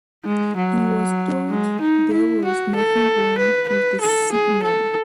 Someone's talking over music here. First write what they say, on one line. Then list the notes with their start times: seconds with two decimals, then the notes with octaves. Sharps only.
He was told there was nothing wrong with the signal.
0.25 G#3
0.57 F#3
1.50 G#3
1.81 D#4
2.13 E4
2.44 F#4
2.75 A4
3.38 B4
3.69 B4
4.01 A4
4.32 G#4
4.63 A4